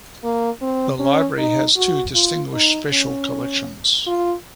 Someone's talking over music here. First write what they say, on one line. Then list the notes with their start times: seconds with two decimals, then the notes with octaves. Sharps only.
The library has two distinguished special collections.
0.23 A#3
0.62 C4
0.99 C#4
1.38 D#4
1.76 F#4
2.15 F4
2.53 D#4
2.91 C#4
4.07 F4